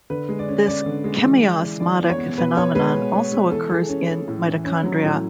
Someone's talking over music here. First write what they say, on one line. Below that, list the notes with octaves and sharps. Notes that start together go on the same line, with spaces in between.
This chemiosmotic phenomenon also occurs in mitochondria.
D3 B4
G#3
D5
C#4
C#4 D5
D3
G#3
E3
E3
E3
E3 D5
B3
C#5
B3
B2 B4
B3 C#5
G#3 B4
B2
B3
G#3
E3 A4
E3 G#4
C#4
C#4
A2
E3
C#4
F#3
A2